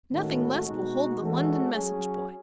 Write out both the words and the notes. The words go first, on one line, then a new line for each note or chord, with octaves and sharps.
Nothing less will hold the London message-boy.
A2 D#3 G#3 C#4 F#4 A4
B2 G#3 D#4 F#4
E3 G#3 C#4 F#4 A4
F#3 C#4 G#4